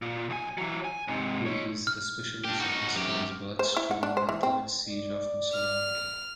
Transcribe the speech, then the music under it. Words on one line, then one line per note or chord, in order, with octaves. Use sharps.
He is especially famous for his words during the Third Siege of Missolonghi.
A#2
B1 G#5
E3 F#3
G#5
G#2 C3
D#4 C#5
F6
D4 G4
D#4 F#4
F#2 G4
C5
E4
F#5
D4
C5
E3
C4
D5
F6